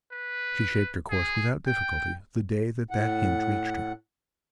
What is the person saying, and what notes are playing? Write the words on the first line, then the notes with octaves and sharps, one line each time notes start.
She shaped her course without difficulty the day that that hint reached her.
B4
G#4
G5
A2 F#5